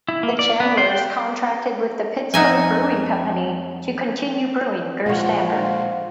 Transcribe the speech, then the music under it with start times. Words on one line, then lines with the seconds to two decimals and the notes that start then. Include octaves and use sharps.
The Chandlers contracted with the Pittsburg Brewing Company to continue brewing Gerst Amber.
0.09 E4
0.23 A#3
0.39 D5
0.60 B3
0.77 C5
0.91 G5
2.34 F2 D#4 E5 F#5 G#5
5.06 A#2 F3 G#3 F4 C#5 F#5 C6